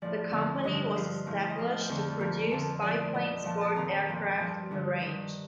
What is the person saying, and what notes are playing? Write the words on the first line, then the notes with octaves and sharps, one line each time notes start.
The company was established to produce biplane sport aircraft in the range.
A2 F3 D5
F2 D3 F3 D5
G2 D3 F3 D#5
G2 F3 F5
A2 F3
D#5
A2 F3 F5
G5
F2 D3 F3 A5
A#2 F3 A#5
F2 D3 F3 A5
A2 F3 D5
A#2 F3 D#5
A#2 F3 A5
A5
F2 D#3 A#5
A#2 F3
G2 F3 A5
G2 D3 F3
G2 D#3